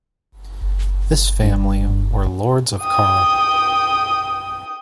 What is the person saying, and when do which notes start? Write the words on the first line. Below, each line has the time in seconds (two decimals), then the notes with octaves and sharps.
This family were Lords of Carra.
1.43 G2
2.81 G5 D#6